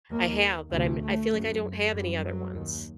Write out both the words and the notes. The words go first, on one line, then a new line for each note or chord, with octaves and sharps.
I have, but I'm I feel like I don't have any other ones,
D#2 A#3
D2 C3 A3
A3
F#2
F#2 G3
F#3
D#2